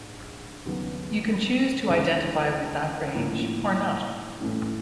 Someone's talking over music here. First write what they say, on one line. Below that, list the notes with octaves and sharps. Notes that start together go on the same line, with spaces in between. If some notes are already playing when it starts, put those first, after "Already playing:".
You can choose to identify with that range or not.
Already playing: A#1 G#2
D#2 C#3 F#3 B3
D2 C#3 E3 G#3
A2 F3 A#3 C#4
A2 E3 A3 C#4